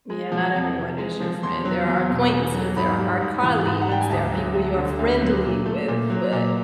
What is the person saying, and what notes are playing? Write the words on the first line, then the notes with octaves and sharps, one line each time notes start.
yeah, not everyone is your friend. There are acquaintances, there are colleagues, there are people you are friendly with, but
G#3
F3
F2
C3
G#3
F3
E2 C6
F#3
E2
B2
E2
F#3
G#2 B5
G3
G#2
E3
G#2
F#5
G3 G5
G#5
D2 A5
F#3
D2
D3
D2
F#3
A#2
A3
A#2
F#3
A#2